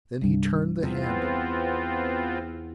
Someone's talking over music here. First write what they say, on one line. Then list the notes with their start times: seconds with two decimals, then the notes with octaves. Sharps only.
Then he turned the handle.
0.22 C2 G2
0.83 E2 B3 C4 F4